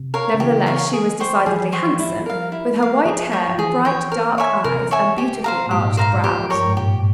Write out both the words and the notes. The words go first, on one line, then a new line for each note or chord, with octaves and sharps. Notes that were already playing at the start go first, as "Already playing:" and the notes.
Nevertheless, she was decidedly handsome, with her white hair, bright, dark eyes, and beautifully arched brows.
Already playing: C3
A#4 C#5 F5
C#3
E3 G4
A#4 C#5 F5
G#4
C5 G5 C#6
F3 G#4
C5 G5 C#6
G3 E4
F3
G3
A#4 F5
E4
A#4 F5
F3 G#4
C#5 G5
F3
E3 G#4
C#5 G5
A#4
C#5 E5 G#5
C3 A#4
C#5 E5 G#5
G4
C5 F5 A#5
A#2
G#2 G4
G#2 C5 F5 A#5
G3
F3 G4
G2 A#4 C#5 G5
G#2
A#2 G4